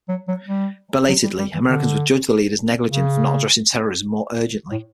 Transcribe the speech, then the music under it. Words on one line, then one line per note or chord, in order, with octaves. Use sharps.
Belatedly, Americans would judge their leaders negligent for not addressing terrorism more urgently.
F#3
F#3
G3
F#3
G3
G3
E3
D3
C#3
A2